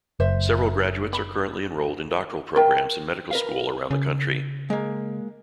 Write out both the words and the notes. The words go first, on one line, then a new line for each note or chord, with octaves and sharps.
Several graduates are currently enrolled in doctoral programs and medical school around the country.
F#1 C5 E5
B5
A#4 E5 G5
A#4 B4 F5
C#3
G#3 A#3